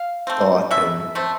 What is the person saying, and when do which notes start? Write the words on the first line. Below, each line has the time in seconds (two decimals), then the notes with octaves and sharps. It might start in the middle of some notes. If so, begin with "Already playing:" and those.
thought and
Already playing: F5
0.27 A3 C4
0.71 B2 E5
1.15 A3 C4